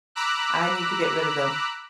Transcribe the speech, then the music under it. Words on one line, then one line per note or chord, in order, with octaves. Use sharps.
I need to get rid of them.
A#5 B5 D6 E6 F#6